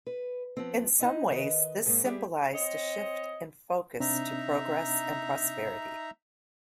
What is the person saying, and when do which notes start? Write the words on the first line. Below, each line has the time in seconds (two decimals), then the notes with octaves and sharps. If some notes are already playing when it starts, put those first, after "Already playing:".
In some ways this symbolised a shift in focus to progress and prosperity.
0.07 B4
0.57 F3 B3 C4
1.00 D#4 E4 D#5
1.31 D#3 B4 D#5
1.86 G#2 G#3 A#3
2.04 G3 G4 G#4 E5 G5
2.53 C4 C#5 D#5
4.00 C3 C4 D4 D#4 E5 A#5